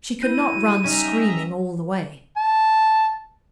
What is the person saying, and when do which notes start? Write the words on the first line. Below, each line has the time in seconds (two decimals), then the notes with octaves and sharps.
She could not run screaming all the way.
0.22 E4 F#6 G6 A#6 D#7
0.54 F3 G3 F#4
0.83 G3 C#4 D#4 D#5 E5 G#5 A#5
2.37 A5